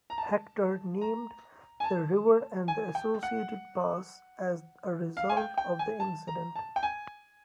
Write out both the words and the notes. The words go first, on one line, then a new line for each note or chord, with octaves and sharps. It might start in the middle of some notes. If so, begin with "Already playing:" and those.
Hector named the river and the associated pass as a result of the incident.
A#5
A5
A#5
G#5
A5
G#5
G5
F#5
F5
G#5
G5
G5
G#5
A5
A#5
A5
G5
G#5